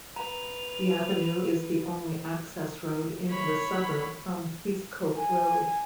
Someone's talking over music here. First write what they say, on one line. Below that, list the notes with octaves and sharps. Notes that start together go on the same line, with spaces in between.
The Avenue is the only access road into the suburb from Heathcote Road.
B4 A#5 F7
C#5 B5
G#5